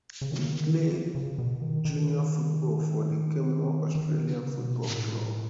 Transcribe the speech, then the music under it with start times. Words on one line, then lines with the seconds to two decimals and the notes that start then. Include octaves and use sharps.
He played junior football for the Kenmore Australian Football Club.
0.21 C#3
0.31 D#3
0.39 C#3
0.53 D#3
1.15 C#3
1.38 B2
1.62 D#3
1.85 D#3
3.95 D#3
4.27 C#3
4.58 B2
4.89 A2